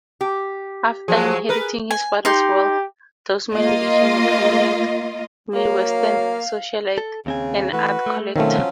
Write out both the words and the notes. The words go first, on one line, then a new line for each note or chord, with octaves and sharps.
After inheriting his father's wealth, Dousman became a prominent Midwestern socialite and art collector.
G4
F3 F#3 G#3 G#4
A#4 B4
G#5
D#4 G4 C6
A#3 F4 D#5
F#3 A#3 F5
A4
D#2 C#3 C4 G#5
E3 A3 F#4 B4
A3
B2 D#3 F3 F#3 A3 C4 C#4